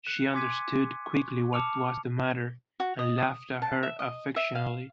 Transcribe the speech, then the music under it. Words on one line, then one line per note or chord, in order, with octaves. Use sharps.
She understood quickly what was the matter, and laughed at her affectionately.
F#6 C#7
G#5 C6 D6 G#6 B6 D#7
C#6
A5 D6 E6 F6 C#7 F7
F#4
D#5
D#6
A5
E5
D#5
E5
F5